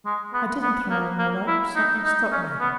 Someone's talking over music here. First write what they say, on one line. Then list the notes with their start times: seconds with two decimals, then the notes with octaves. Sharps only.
I didn't throw him the rope; something stopped me.
0.05 G#3
0.34 B3
0.62 B3
0.90 A#3
1.19 A#3
1.47 E4
1.76 D#4
2.05 D#4
2.32 C#4
2.60 B3